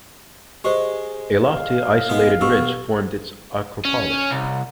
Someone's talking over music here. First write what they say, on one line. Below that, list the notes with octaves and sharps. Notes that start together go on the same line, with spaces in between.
A lofty isolated ridge formed its acropolis.
G#3 G4 C5
F5
G#3 B3
B2 G4 E6
C#4
C2